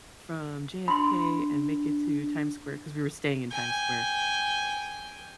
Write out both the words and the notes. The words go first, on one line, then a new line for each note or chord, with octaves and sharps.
from JFK and make it to Times Square." 'Cause we were staying in Times Square.
D4 B5 C6
G5 G#5